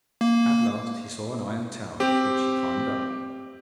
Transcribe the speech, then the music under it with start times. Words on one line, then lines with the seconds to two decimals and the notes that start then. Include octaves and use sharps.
At last he saw an iron tower which he climbed up.
0.21 A#3
2.00 C4 G4